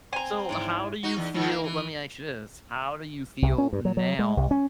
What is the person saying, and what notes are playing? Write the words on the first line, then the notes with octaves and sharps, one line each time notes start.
So, how do you feel let me ask you this. How do you feel now
C4 G#5 A#5
G#2 E4 C#5 D5
D#4 F#4
E2
G#2 D3 D#3
A#3
E3
C2
C#4
G2
F#3
F#3
G#3
C2
C#4